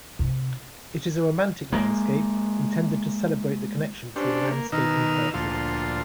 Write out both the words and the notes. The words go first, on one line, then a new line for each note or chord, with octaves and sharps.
It is a "romantic landscape", intended to celebrate the connection between landscape and poetry.
C3
G#3 A#3
C#4 D4 G4 A4 C5
A#3
B2 D#3 D#4 A#5 E6 F6
D2 A#2 F3 F4 A4 C6